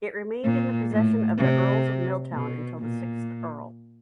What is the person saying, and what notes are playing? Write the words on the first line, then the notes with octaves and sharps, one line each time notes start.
It remained in the possession of the Earls of Milltown until the sixth earl.
A#2
A2
C3
B2
A#2